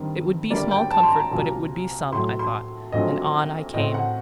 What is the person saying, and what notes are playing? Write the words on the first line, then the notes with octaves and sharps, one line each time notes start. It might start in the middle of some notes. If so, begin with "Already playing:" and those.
It would be small comfort, but it would be some, I thought, and on I came.
Already playing: G2 D#3 G3 C4
G1 G2 D3 G3 A#3 D5
G5
A5
C6
A#5
C2 A#2 F#3
A2 F#3 A3 C6
C6
A#1 A#2 F#3 A3 C4 D#5
A2 A3 C4 D#5
F#5